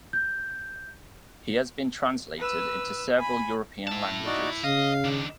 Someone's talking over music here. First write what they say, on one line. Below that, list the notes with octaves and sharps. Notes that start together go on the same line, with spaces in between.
He has been translated into several European languages.
G6
B4 E6
G#5 B5
E4 A5
D#4 F#4 D5
C#3 D#5 F5
D#3 D4